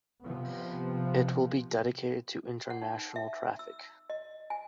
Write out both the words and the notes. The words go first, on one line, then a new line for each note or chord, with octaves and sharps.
It will be dedicated to international traffic.
C3 F3 B3
F#5
D#4
E5
E6
D#5
G#5